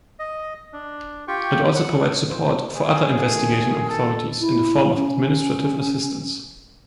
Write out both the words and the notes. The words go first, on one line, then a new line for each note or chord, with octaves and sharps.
It also provides support for other investigating authorities in the form of administrative assistance.
D#5
D4
F4 G4 G5 C#6
F#5
C5
G#4
D#3 A3 F#4
A4
E4
C#4